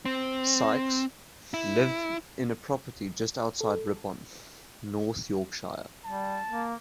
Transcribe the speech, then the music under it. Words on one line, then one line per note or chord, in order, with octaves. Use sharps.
Sykes lived in a property just outside Ripon, North Yorkshire.
C4
E4
A4
G3 A5
A#3